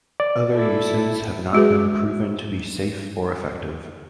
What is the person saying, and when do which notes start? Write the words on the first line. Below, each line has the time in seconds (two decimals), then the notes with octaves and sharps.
Other uses have not been proven to be safe or effective.
0.20 D5
0.51 E4 A4
1.53 G#3 F#4 G#4 B4